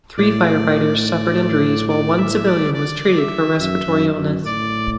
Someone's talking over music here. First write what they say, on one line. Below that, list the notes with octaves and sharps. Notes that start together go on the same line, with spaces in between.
Three firefighters suffered injuries while one civilian was treated for respiratory illness.
A2 D5
D5
E5
D5
D5
E5
F#2 E5
F#2
F#2
A2 D5